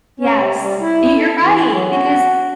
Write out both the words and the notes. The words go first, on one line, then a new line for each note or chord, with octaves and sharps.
Yes, y you're right, because
C#4
C3
G3
E4
A4
E3
F#3
F#4